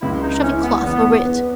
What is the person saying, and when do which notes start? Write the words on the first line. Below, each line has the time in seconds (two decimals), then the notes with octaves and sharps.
Shove a cloth over it!
0.01 C#2 E4
0.22 D#4
0.42 C#4 E4
0.63 B3
0.83 E2 B3
1.25 B3